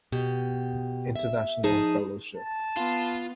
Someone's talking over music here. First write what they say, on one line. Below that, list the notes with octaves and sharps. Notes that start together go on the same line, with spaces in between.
International Fellowship.
B2 G4
E5
F3 D#4 G#4 A5
A5
B3 F4